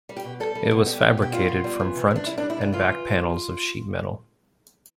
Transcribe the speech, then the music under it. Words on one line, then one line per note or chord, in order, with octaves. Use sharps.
It was fabricated from front and back panels of sheet metal.
G3
G4
B2
G3 A4
G3
B2
G3 G4
B2
B2 G4
G3 F4
B2
G3
E3
C3
C3 D4
G3 E4
D4
G3
E4
C3 D4
E3 F4